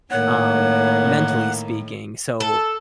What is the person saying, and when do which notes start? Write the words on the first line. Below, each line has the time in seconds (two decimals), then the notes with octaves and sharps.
um, mentally speaking so
0.11 A2 D#3 A#3 C#5 F#5
2.40 A4